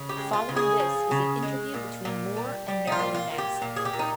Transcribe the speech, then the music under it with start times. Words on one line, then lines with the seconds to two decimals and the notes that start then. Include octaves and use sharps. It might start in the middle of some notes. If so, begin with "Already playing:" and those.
Following this is an interview between Moore and Marilyn Manson.
Already playing: C#3
0.09 G4
0.17 G#3
0.33 F4
0.49 C#3
0.56 G#4
0.80 F3
1.11 C#3
1.42 G#3
1.74 A#2
2.05 A#2
2.37 G3
2.68 G3
2.87 D#4
2.92 F4
2.99 A#2
3.15 F4
3.31 A#2
3.38 G4
3.62 A#2
3.76 G#4
3.85 G4
3.93 A#2
3.99 D#4